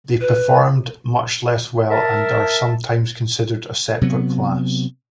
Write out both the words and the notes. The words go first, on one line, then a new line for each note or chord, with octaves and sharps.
They performed much less well, and are sometimes considered a separate class.
B4
A#4 E5 A5
C3 F#3 B3